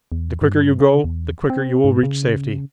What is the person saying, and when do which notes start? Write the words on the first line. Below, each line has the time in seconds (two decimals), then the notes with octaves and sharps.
"The quicker you go, the quicker you will reach safety."
0.12 E2
0.41 G2
0.80 C#3
1.04 E2
1.50 C4
1.84 G#2
2.03 C#3